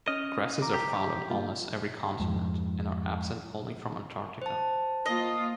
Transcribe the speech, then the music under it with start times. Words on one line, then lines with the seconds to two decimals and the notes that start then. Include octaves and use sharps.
Grasses are found on almost every continent, and are absent only from Antarctica.
0.08 C#4 D#5 F6
0.62 A#5 D6
0.74 G4
1.30 G3 A#3 F4
2.20 F2 G#2
4.42 C5 A5
5.06 A#3 F4 D#5